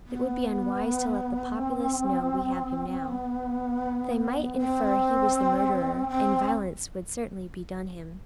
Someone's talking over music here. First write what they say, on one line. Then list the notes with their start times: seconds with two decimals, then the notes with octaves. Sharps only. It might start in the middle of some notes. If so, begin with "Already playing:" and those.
It would be unwise to let the populace know we have him now; they might infer he was the murderer and violence would certainly be done him.
0.07 B3
1.57 C4
3.08 B3
4.58 C4
6.09 C4